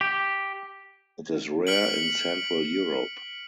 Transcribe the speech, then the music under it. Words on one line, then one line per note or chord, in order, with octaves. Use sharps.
It is rare in Central Europe.
G4
F6 B6 C#7 D7 F#7